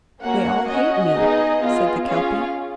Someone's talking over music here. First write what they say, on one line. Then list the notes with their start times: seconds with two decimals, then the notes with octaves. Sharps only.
"They all hate me," said the Kelpie.
0.22 A#3 C#4 F#4 F#5
0.67 C#4 F#4 D#5
1.14 B3 D#4 G#4
1.59 B3 F4 G#4
2.05 C#4 F4 G#4 F5